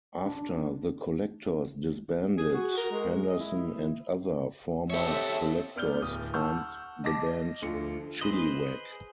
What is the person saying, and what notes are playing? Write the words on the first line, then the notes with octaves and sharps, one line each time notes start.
After The Collectors disbanded, Henderson and other former Collectors formed the band Chilliwack.
D4
G#4
F#4
A#4
G#3
D#5
E4
C4 G4 A4 C#5 E5
B3 D5 F6 G6 G7
D1 D#6
F#5 A5 C#6 E6 F6 G6
D#5 A5 D6 A#6
D2 F3 F4 C#7
G#4 B4 C5 D#5